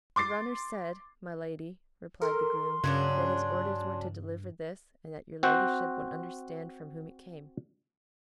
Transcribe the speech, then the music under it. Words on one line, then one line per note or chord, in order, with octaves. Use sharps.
"The runner said, my lady," replied the groom, "that his orders were to deliver this, and that your ladyship would understand from whom it came."
C6 D6 A6 C7
A4 A#4 C6
G2 C#3 F#3 C#4 D4
C4 F#4 C5